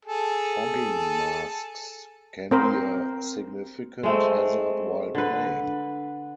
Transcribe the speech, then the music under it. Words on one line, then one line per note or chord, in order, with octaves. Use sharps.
Fogging masks can be a significant hazard while playing.
G#4 A4
C4 A#4 C5
G#3 A3 C4
D3 B4